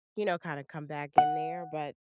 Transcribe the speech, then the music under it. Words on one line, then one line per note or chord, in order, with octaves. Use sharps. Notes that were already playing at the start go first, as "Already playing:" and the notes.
you know, kinda come back in there," but
F#5